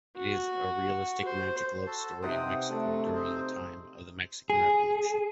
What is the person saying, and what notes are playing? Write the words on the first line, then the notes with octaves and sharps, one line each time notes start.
It is a realistic magical love story in Mexico during the time of the Mexican Revolution.
F#4
C5
F#4 A4 A5
C3 D#4 C5 F#5 G5 D#6
A3 D4
C4 G#4 C5
G#4